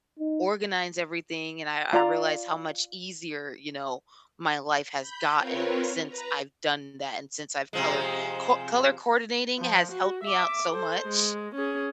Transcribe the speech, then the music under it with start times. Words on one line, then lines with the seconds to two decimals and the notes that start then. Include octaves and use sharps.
organize everything," and I I realized how much easier, you know, my life has gotten since I've done that and since I've color co Color coordinating has helped me out so much.
0.19 D#4
1.93 F4 D5 A#5
4.99 B5 G6
5.37 C4 F4 A#4 B4 C#5
6.08 B4 A#5
7.73 C3 F3 G#3
9.59 F3
9.92 F#4
10.24 E5 D6
10.72 A4 C5
11.07 G#3
11.55 C#4 G#4